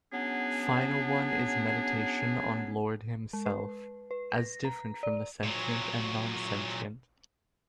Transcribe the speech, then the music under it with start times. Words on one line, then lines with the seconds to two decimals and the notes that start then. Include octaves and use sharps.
Final one is meditation on Lord Himself, as different from the sentient and non-sentient.
0.13 F#3 B3 C#4 D4 G#4
3.33 G#3
3.46 B4
4.11 B4
4.36 A#6
4.65 A#5
5.03 D5
5.43 A#2 F#3